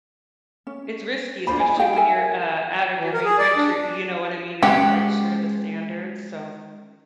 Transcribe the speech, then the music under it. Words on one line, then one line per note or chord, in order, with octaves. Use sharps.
it's risky, especially when you're, uh, out of your main country, you know what I mean? You're not quite sure of the standards, so,
C#4
D4 F4 C5 B5
D#5 G#5
D#4 F#4 F5 G5
A#4 E5 G#5
E3
A#4
G#4
D5
D4
G#3 C#4 G4 F#5